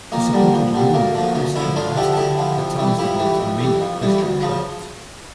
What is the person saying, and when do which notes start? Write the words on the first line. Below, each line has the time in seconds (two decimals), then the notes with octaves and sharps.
To support its rural-equestrian lifestyle, the town has developed many equestrian trails.
0.12 F2 A#3
0.33 D3 G3
0.53 F2
0.74 D3 G3
0.94 D2 A#3
1.14 D3 F3
1.35 D2 C#4
1.55 D3 F3 C#4 E4
1.76 D2 D4 F4
1.96 D3 F3 E4 G4
2.12 A4
2.17 D2 E4 G4
2.38 D3 F3
2.58 F2
2.78 E3 G3
2.98 F2 E4 G4
3.19 E3 G3
3.40 F2
3.60 E3 G3
3.81 F2
4.01 E3 G3
4.22 D2
4.42 C#3 F3